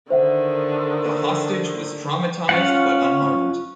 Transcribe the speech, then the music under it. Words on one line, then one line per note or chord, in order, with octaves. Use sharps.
The hostage was traumatized but unharmed.
D3 D#3 C5 E5 F#5
C#4 F4 F#5